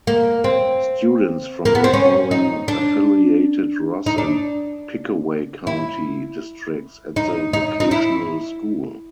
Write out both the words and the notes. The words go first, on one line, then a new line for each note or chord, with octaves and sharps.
Students from the following affiliated Ross and Pickaway county districts at the vocational school.
A#3
C4
A#3
B3
C4
C#4
D#4
D4
D#4
D4
E4
D#4
D#4
D#4
E4